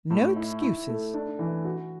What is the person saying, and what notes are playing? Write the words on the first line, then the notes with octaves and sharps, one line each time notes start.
No excuses!
A2
E4
E4
A3
D4
E3
F#4